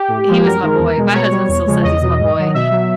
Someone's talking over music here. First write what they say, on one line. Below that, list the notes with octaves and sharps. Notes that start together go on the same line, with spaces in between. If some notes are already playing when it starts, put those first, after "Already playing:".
eh, he was my boy, my husband still says "He's my boy,"
Already playing: G4
A2
F3 G#3
F#2 A#4
D#3 G#3
E2
B2 G#3
B2 C#5
G3
E2
C#3 F3 G#3
E2 D#5
B2 F#3
G#2
D#3 F#3
B2 E5
F#3